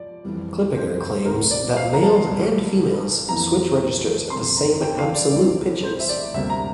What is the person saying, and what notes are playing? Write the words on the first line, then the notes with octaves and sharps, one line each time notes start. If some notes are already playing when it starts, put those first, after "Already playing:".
Clippinger claims that males and females switch registers at the same absolute pitches.
Already playing: F3 D5
F2 E3 G3
C5
C5
D2 C3 F3 A3 A#4
D5
F5
A#5
A5
C2 A#2 G3
F2 E3 A#3 A#5
G1 F2 C3 C6
A#5
G5
F5
D5
C2 C3 E3 G3 D5
C5
E5
D5
D2 C3 G3 A#3 E5
A#5